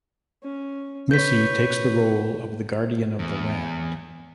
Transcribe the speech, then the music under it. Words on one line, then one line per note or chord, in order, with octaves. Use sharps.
Missy takes the role of the guardian of the land.
C#4
B4 C#5 G6 B6
E2